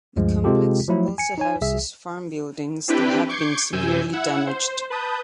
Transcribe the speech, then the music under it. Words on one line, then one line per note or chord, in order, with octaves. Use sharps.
The complex also houses farm buildings that have been severely damaged.
D2 G2 F3 G#3
C3 G#3 C4 F4 G4 A4
F3 F#3 A3 E4
G#5 C#7
D#4 C#5 G#5
C2 G#4 E5
C4 D4 E4 G4 B4 G5
C#6 D6 G6 G#6 C7 C#7
F#2 C3 G#5 E6 G6
E4 F#5 E6 G#6
C5
B4 A5 D#6 G6